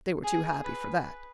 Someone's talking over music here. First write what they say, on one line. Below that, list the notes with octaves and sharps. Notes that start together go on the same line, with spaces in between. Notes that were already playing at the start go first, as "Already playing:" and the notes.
They were too happy for that.
G#4
B4